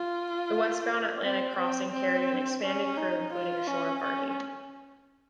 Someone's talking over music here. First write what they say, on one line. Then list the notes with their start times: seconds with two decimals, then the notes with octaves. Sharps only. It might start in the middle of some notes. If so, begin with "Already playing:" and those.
The westbound Atlantic crossing carried an expanded crew including a shore party.
Already playing: F4
1.23 C4
1.57 C4
1.92 C4
2.63 C#4
2.97 D#4
3.33 F4
3.68 C#4
4.03 C#4